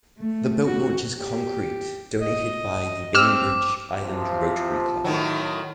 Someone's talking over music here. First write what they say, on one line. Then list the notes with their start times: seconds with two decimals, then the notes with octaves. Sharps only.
The boat launch is concrete, donated by the Bainbridge Island Rotary Club.
0.18 A3
0.66 F#4
1.18 G4
2.21 D#5
3.15 C4 D6 E6 F6
4.01 C3 F3
5.04 A2 D#3 F#3